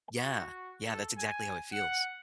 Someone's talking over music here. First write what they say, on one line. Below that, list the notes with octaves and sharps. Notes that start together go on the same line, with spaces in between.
Yeah. Yeah, that's exactly how it feels.
F#4
A4
G#5
F#5